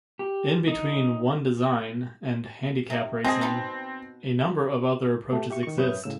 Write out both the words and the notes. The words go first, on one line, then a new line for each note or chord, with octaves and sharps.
In between One-Design and handicap racing, a number of other approaches exist.
G4
D#4
C3 D#3
G#3 C4 D4 G#4
B2 D#4 B4
A3 G4
G4 E5 C#6
D#3 C#6
F#2 B4 C#5 E5 D#6 G6
A2 C#3 E6